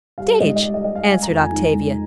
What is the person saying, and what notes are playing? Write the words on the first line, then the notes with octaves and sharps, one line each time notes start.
"Stage," answered Octavia.
G3 F5
G#2 D#5
D#5
G3 D5
D#5
G3 D#5
F5
G#3 G#5
A#5
F2
G#5
D#3
G#3